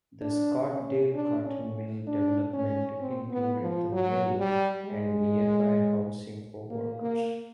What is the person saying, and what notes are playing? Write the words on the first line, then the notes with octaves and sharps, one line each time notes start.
The Scottdale Cotton Mill development included the mill and nearby housing for workers.
D4
C#4
D4
C#4
D4
C#4
C4
B3
F3
F#3
G3
G#3
A#3
A#3